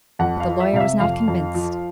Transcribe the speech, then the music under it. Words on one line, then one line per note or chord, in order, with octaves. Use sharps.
But the lawyer was not convinced.
F2 F#5
F5
F3
E5
C3 F5
E5
F2 F5
F2
F3